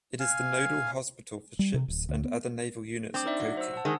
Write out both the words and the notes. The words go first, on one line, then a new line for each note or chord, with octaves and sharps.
It is the nodal hospital for ships and other naval units at Kochi.
F5 G#5
G3
C3
D1
D2
B3
C4 D4 D6
D#4 D5 E5
F#3
C5 E6
F#5 A5
D#3 G#3